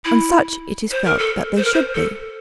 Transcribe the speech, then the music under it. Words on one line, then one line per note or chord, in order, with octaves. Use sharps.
And such it is felt that they should be.
E4
C5
A#4
A4
C5
A#4
C5
A4